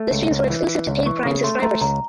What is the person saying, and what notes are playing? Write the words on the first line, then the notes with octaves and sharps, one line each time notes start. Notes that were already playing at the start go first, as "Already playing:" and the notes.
The streams were exclusive to paid Prime subscribers.
Already playing: A3
C#2
C#2
E3
E3
C#2
E3 C#6
C#3
A3 C6
A3 A#5
C#2 A#5